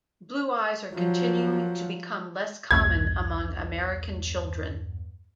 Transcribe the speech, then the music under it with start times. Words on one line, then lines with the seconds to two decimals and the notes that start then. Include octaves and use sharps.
Blue eyes are continuing to become less common among American children.
0.93 F3 F#3
2.71 B1 E2 G2 G#6